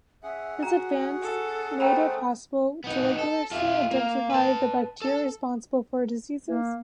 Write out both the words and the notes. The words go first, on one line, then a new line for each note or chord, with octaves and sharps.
This advance made it possible to rigorously identify the bacteria responsible for diseases.
C#4 G#4 E5 F#5
F#4 A#5
A4
A3 C5 G5 A#5 B5
B3 D#4
A4
F4 E5
A#3
B4 A5
A4
A#3